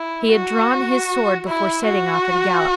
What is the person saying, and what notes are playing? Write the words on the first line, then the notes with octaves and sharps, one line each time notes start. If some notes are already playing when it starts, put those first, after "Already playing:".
He had drawn his sword before setting off at a gallop.
Already playing: E4
F#4
E4
F#4